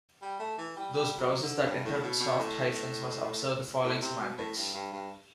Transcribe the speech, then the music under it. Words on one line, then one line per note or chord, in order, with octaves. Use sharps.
Those browsers that interpret soft hyphens must observe the following semantics.
G3
A3
E3
G3
G3
F#3
D3
G2
A2
B2
B2
A2
A2
C3
B2
A2
G2
G2
G2